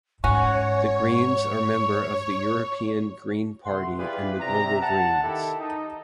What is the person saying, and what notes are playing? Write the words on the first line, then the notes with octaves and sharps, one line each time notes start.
The Greens are member of the European Green Party and the Global Greens.
G#2 C#4 F#4 C#5 C#6
C3 A3 F#5 C6
E4 F4 G4 G#4 B4 D5
C3 D5 E5 A#5
F#5 A5
D#3 E4 G4 A4
D#4